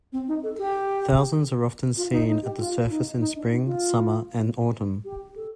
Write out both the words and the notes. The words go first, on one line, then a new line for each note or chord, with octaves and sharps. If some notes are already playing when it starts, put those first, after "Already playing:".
Thousands are often seen at the surface in spring, summer, and autumn.
C4
D#4
A4
G4
F4
D#4
D#4
G4
F4
D#4
D#4
D4
D#4
F4
G4
A4